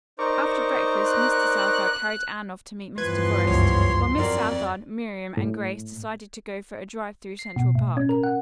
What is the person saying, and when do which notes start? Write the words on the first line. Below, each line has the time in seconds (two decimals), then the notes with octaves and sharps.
After breakfast Mr. Southard carried Anne off to met Mr. Forest, while Miss Southard, Miriam and Grace decided to go for a drive through Central Park.
0.19 D#4 A#4 C5 D5 C#6
1.08 F#6
2.98 E2 G2 F3 B4 C6 G#6
3.47 C#2 F#2 C#5
4.18 F2 F#3 A#4 D5
5.37 A2
7.39 C7
7.56 B2
7.75 A2
7.97 C#4
8.09 A#4
8.23 F#5